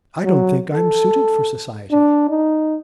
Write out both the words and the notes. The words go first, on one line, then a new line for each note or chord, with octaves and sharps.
'I don't think I'm suited for society.'
F#3
A4
D4
D#4